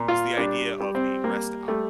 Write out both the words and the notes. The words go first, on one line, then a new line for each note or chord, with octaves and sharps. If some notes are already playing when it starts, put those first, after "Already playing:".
is the idea of a rest hour.
Already playing: A#2
F4
G3 D4
G3
C4
G3 A#3
G3 A3